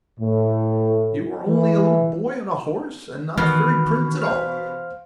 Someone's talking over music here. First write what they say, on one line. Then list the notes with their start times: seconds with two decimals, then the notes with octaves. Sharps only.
"You are only a little boy on a horse, and not a fairy prince at all!"
0.20 A2
1.46 E3
3.37 B2 D#3 E3 F6
4.22 C5 F5 F6